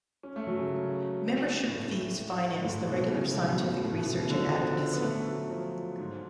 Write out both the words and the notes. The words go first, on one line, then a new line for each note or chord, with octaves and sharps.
Membership fees finance the regular scientific research and advocacy.
C#4
A3
F#3
C#3
A2
G#2
A2
B2
B2
C#3
B2
A2
A2
A2
B2
B2
C#3
D3
F3
F3
B3
A3
F#3
F3
G#2